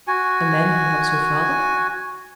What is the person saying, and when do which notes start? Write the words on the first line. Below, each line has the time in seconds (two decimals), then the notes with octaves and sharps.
"A man who helps your father?"
0.08 F#4 G#5